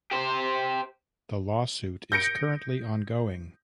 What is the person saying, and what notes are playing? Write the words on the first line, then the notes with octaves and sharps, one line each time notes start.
The lawsuit is currently ongoing.
G4 C5
G6 A#6 C#7 D7